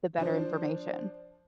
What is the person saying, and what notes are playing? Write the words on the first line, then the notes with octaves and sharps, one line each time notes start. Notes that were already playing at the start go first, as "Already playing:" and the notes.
the better information?"
F3 D4 C5